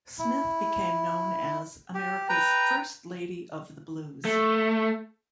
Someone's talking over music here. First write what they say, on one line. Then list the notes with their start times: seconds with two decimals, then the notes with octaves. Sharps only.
Smith became known as "America's First Lady of the Blues".
0.19 E4
1.94 G4
2.29 B4 G5 A#5
4.25 A3